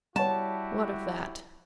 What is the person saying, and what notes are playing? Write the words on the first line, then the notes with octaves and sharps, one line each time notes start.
What of that?
G3 E4 F#4 G4 C#5 F#5 A5